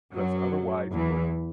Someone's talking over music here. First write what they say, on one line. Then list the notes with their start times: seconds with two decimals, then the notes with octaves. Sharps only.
'cause otherwise, what
0.13 F#2 F#3
0.92 E2 E3